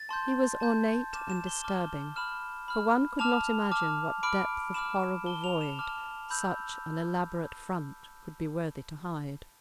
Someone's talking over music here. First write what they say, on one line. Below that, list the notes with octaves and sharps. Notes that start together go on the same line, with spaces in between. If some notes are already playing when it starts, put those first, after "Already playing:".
He was ornate and disturbing, for one could not imagine what depth of horrible void such an elaborate front could be worthy to hide.
Already playing: A6
A5 C6 G6
A5 C6 G6
A5 D6 F6 E7
E7
G7
A5 D6 F6
B5 F6 E7
B5 F6
A5 D6 F6 F7
A5 D6 F6
B5 D6 F6 D7
B5 D6 F6 E7
A5 D6 F6 G7
F7
E7
A5 D6 F6
B5 E6 G6